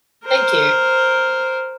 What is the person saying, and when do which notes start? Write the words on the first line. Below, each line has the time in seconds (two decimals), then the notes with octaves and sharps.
Thank you.
0.25 A#4 C5